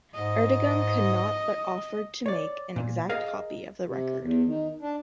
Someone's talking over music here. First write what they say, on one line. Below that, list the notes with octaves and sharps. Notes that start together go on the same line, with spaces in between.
Ertegun could not but offered to make an exact copy of the record.
G#2 D#5
C#5 D5
A#2
G#4 A#4 D#5 F5
C3
E2
D#3
D4